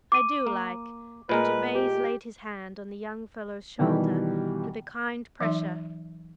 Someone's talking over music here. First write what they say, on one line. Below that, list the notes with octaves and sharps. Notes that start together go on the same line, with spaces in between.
"I do like!" and Gervase laid his hand on the young fellow's shoulder with a kind pressure.
D6 D#7
A#3
A#2 G#3 A#4 B4
G4
B2 D#3 E3 G3 G4
E3 F#3 D#4 E5 C6